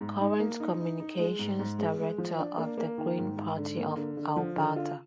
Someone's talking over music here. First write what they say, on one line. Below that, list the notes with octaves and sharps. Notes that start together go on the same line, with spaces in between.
Current Communications Director of the Green Party of Alberta.
G#2
D#4
A#3
D#4
D#4
D#4
G#3
G#2
G#2
G#3
G#3
F3
D4
A#3
A#3
D#3
G#2
G#2
D3
A#3
D3
D3
F3
D3
F4